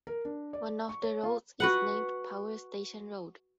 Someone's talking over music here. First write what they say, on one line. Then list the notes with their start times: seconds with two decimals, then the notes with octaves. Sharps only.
One of the roads is named Power Station Road.
0.07 A#4
0.25 D4
0.53 D5
0.89 C#6
1.02 C#5
1.23 F4
1.60 F#4 B4 F#5